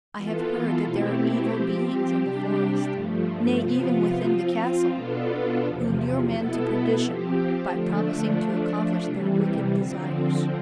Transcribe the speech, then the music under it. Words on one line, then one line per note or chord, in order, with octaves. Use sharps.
I have heard that there are evil beings in the forest--nay, even within the castle--who lure men to perdition by promising to accomplish their wicked desires.
E3 B3 F4 A4
B2 A3 C4 E4 G4
F3 C4 G4
C3 G3 D4 G4
G2 F3 A3
C3 F3 B3 F4
F3 C4 F4
B2 B3 D4 F4 A4
E2 C3 F3
B2 B3 E4 A4
F3 C4 G4
D3 F3 A3 D4
F3 A3 D4
C3 E3 G3
D3 F3 C4